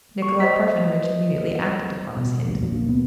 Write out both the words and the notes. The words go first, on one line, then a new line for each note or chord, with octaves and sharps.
Nikolay Parfenovitch immediately acted upon this hint.
C#6
C5 D#5 B6
B2
D#1 A1 D2 G2
F2 A#2 F#3
A#1 A#3 D4
D#2 B2 B3